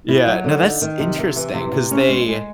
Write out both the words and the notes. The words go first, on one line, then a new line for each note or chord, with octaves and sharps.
Yeah. No, that's interesting 'cause they
E4
F#3
D3
D#4
D#3
C3
C3
E3
C3
C3
C#4
G#3
G#3